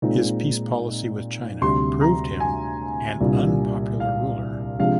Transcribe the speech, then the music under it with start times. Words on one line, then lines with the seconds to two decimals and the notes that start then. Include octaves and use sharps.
His peace policy with China proved him an unpopular ruler.
0.02 A#2 G#3 C4 D#4
1.61 D2 C3 G3 C6
2.01 A#5
2.40 G#5
3.20 C2 A#2 G3 D4
4.00 F5
4.79 C3 F3 G#3 D4 F5